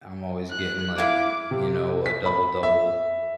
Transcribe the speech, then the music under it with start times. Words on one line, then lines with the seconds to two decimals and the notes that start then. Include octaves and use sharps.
I'm always getting, like, you know, a double-double,
0.51 F#6
0.98 E4 F5 D6
1.51 C3
2.06 B6
2.26 B5
2.63 E5